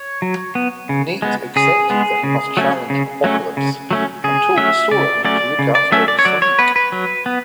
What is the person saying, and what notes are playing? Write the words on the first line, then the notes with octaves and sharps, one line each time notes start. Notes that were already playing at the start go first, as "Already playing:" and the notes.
Nate accepted that he must challenge Apocalypse, and told Soaron to look after Sonique.
Already playing: C#5
F#3
B3
C#3
G#3 B3
C#3 G#4
G#3 B3
C#3
F#3 A3 C#4
C#3
F#3 A3 C#4
C#3
F#3 A3 C#4
C#3 G#4
F#3 A3 C#4 E5
C#3 D5
F#3 A3 C#4 D5
C#3
D5
F#3 A3 C#4 E5
D5
C#5
F#3 D5
C#5
B3 B4
B4
F#3
B3